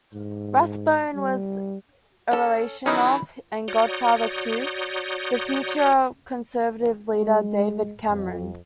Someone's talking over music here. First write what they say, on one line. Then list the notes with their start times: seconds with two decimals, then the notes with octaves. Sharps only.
Rathbone was a relation of, and godfather to, the future Conservative leader David Cameron.
0.13 G#2
1.15 G3
2.31 C#4 A4
2.86 D#3 E3 F#3 C#4 D#4 E4 A#4 B5
3.68 F#4 C#5 D5 A#5 D#6 G6
7.21 G#3
8.07 F2